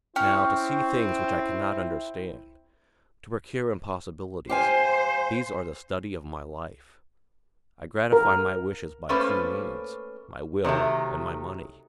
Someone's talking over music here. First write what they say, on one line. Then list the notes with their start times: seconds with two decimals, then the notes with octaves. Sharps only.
Now, to see things which I cannot understand, to procure impossibilities, these are the study of my life. I gratify my wishes by two means--my will and my money.
0.16 C4 C#4 E4 G5
4.49 G4 C5 F5 G#5
8.13 A#4
9.09 A3 A#3 C#4 B4 C5
10.64 C3 D#3 F#3 A3